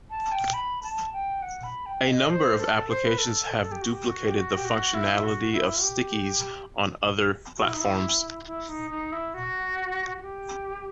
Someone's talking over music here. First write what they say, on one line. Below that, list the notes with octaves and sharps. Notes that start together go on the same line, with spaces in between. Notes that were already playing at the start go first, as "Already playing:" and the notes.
A number of applications have duplicated the functionality of Stickies on other platforms.
A5
G5
B5
A5
G5
F#5
B5
G5
D#5
C5
A4
C5
B4
A4
A4
G4
F#4
G4
F#4
G4
F#4
G4
F#4
E4
E4
F#4
E4
G4
F#4
E4
D#4
E4
E4
D#4
D#4
E4
F#4
F#4
G4